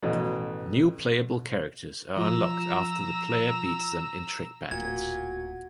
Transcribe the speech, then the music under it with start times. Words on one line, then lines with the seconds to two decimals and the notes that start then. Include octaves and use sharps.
New playable characters are unlocked after the player beats them in trick battles.
0.03 A1 B2
2.17 F3 F4 A#5 E6
4.71 D1 A#2 F#4 G#6